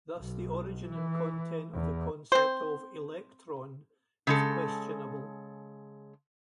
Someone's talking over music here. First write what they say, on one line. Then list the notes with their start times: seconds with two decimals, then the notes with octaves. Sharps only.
Thus, the origin and content of the concept of "electron" is questionable.
0.17 B1
0.87 E3
1.73 E2
2.32 C4 C5
4.27 C#3 G#3 A4